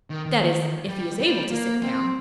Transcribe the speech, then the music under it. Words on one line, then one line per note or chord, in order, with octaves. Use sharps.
That is, if he is able to sit down.
D#3
D#3
G3
G3
A#3
C4